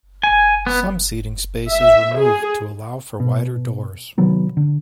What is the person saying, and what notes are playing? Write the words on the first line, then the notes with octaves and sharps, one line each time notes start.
Some seating space is removed to allow for wider doors.
G#5
B3
E5
G#4
B2
C3 D#3 F#3 B3
D3